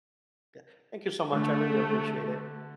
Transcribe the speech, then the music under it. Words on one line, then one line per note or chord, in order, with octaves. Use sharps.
Yeah. Thank you so much, I really appreciate it.
D3 A3